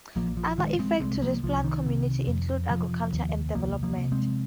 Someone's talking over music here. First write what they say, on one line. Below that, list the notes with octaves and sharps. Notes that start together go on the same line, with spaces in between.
Other effects to this plant community include agriculture and development.
A#1 F3 A#3
F3
A#1 D#3 G#3
G#3 C4
C2 G#3 C4
F3 A#3
C2 F3
D#3
C3
F2
F1 F3
D#2
C2 F3 A#3
F3 A#3
C3
G#3 C4